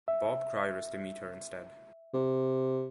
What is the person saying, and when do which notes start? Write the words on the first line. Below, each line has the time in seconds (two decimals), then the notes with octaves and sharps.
Bob Cryer is to meet her instead.
0.08 E5
2.14 C3